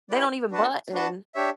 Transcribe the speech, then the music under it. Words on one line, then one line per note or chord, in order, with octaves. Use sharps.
they don't even button."
E4 G4 B4 D5
D4 F#4 B4 F#5 A5
D4 F#4 B4 F#5 A5
D4 G4 C#5 E5